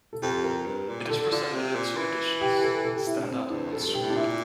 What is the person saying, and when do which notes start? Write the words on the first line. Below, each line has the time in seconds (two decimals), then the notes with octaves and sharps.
It is presented in two editions: standard and suite.
0.13 A4
0.22 F2 G4
0.44 A#4
0.66 G2
0.89 A#2
1.10 D3 A4
1.32 D3 F4
1.54 C3
1.75 A#2
1.97 E3
2.41 G4
2.63 A4
2.85 A4
2.96 G4
3.07 E4
3.18 D4
3.28 C4
3.50 E2 D4
3.72 F2 A4
3.87 G2
3.94 G4
4.01 A2
4.10 D4
4.15 A#2 E4